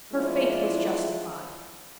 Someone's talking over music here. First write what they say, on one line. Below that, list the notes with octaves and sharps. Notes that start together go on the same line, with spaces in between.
Her faith was justified.
F3 G#3 D4 E4